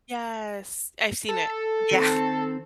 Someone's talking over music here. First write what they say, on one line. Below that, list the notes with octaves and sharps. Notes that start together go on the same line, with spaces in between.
Yes, I've seen it. Yeah.
A4
D#3 C4